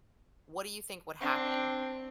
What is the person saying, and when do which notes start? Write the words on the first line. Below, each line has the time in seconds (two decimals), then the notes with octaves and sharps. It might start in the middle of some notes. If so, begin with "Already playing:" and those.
What do you think would happen?
1.20 C4 D4